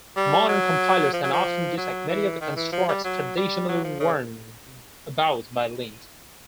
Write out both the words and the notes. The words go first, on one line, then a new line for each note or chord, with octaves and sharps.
Modern compilers can often detect many of the constructs traditionally warned about by lint.
G3
F#3
F3
F#3
F3
F#3
E3
D#3
E3
F3
G3
F#3
G3
F#3
F3
C#3